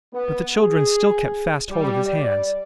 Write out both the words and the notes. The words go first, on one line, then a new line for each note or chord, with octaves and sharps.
But the children still kept fast hold of his hands.
B3
G#4
G3
D5